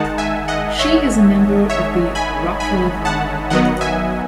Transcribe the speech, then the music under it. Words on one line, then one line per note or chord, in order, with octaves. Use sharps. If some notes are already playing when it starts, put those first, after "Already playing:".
She is a member of the Rockefeller family.
Already playing: D#3 G#3 D#4 F#5 A5
E5 G#5
D#5 F#5
C#5 E5
C#5 E5
G#5 B5
G#5 B5
F#5 A5
D#3 F#3 B3 D#5 F#5
E5 G#5